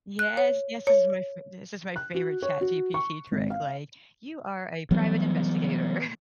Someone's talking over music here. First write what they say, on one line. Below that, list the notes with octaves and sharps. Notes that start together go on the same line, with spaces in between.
Yes! This is my f this is my favorite ChatGPT trick, like, "You are a private investigator."
F#6
C#5
C#5
F#6
F#4
C#5
F#4
C#6
G#1
F5
E3 F#3 G3 B3